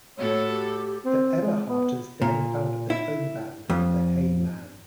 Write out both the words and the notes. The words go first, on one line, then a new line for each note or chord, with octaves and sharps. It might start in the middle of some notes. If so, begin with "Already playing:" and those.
The Eberharters then founded their own band, the Hey Mann!
A2 F#4 A4 C#5
G4
C4
G#3
B3
A#2
E4
F2